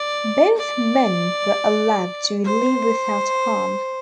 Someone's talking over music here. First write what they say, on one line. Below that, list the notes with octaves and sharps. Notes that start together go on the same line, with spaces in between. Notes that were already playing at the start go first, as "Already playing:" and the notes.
Both men were allowed to leave without harm.
Already playing: D5
D5
C5